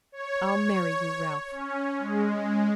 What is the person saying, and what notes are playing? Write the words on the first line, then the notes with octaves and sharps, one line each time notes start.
I'll marry you, Ralph!...
C#5
C#4
G#3